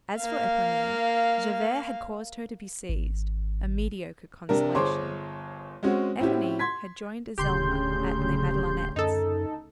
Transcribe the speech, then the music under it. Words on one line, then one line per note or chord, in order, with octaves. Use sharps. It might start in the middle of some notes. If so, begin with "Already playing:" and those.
As for Eponine, Javert had caused her to be seized; a mediocre consolation. Eponine had joined Azelma at Les Madelonettes.
A#3 F5
G#1
C3 D4 A#4
G1 G#4 C5 C#5 C6 D6
G#3 C4 C#4 F#4
A2 C4 C#4 E4 F#4 G4
C6 G#6 B6
D#1 D2 C#3 G4 C6 G6
F#2 D#4 A4